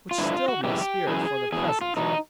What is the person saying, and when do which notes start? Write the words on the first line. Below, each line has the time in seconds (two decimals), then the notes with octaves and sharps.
Which stilled my spirit for the present.
0.11 F4
0.18 G2 D3 F3 E4
0.34 F4
0.48 F#4
0.64 F#2 C#3 E3 G4
1.07 F#2 C#3 E3 G#4
1.52 E2 B2 G#4
1.68 A4
1.81 F4
1.97 E2 B2 D#4